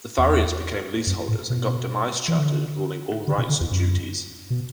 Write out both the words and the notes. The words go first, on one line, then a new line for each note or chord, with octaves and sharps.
The farriers became leaseholders and got demise charters ruling all rights and duties.
E2
F#2
A2
B2
E3
D3
D3
B2
D3
E2
F#2
B2